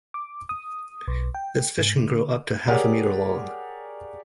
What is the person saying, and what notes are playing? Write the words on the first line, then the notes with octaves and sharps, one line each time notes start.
This fish can grow up to half a meter long.
D6
D#6
B1
G5
G#2
D3
G4 G#4 A#4 C#5 D5 F#5